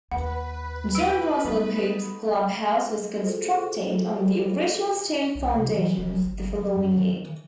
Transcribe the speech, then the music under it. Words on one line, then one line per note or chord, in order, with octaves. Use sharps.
John Russell Pope's clubhouse was constructed on the original stone foundations the following year.
D#2 B4 F#5
E6 D7 D#7
G3 A3 B3 D#4 E4
F4 F#4 G#4 A4 C5
C2
C3
E3
F1
G1
F#3
F#2
D#3